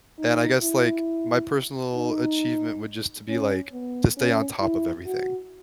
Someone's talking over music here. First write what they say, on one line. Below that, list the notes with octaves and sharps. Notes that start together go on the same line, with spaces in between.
And I guess, like, my personal achievement would just to be, like, to stay on top of everything,
D#4
E4
D#4
C#4
B3
C#4
E4
F#4